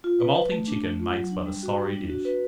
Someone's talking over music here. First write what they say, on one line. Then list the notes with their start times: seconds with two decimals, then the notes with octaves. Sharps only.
A moulting chicken makes but a sorry dish.
0.04 F4
0.20 B4
0.35 B4
0.52 A3
0.67 D4
0.83 A3
1.00 F4
1.15 F#3
1.31 D4
1.46 G3
1.63 F#4
1.78 G3
1.94 D4
2.09 F#4
2.25 B4